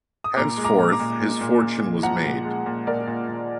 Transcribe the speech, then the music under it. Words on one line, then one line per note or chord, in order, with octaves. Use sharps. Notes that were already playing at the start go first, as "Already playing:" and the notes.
Henceforth, his fortune was made.
D#6
A#2 A#5 D6
G#3
A#5 D6
A#2
A#5 D6
A#2
A#2
A#2
A#2
A#2
F3 F#5 A#5
A#2
G#3
A#2
A#2 A#4 D5
A#2
A#2